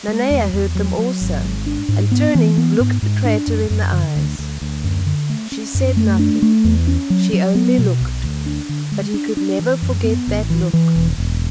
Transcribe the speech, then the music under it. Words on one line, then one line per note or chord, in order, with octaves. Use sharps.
Nanea heard them also, and turning, looked the traitor in the eyes; she said nothing, she only looked, but he could never forget that look.
G#3
E2
E2
F#3
F#3
G#1
G#2
D4
G#2
B3
E3
B3
G#2
G#2
D4
F#2
F#2
D3
D2
D2
D2
F#2
D3
A3
C#4
F#2
A3
D4
A3
E2
C#4
F#3
F#3
B3
B2
B1
D2
D4
D3
G#3
D4
D4
E3
F#2
B3
A1
E3
E3
E1
E1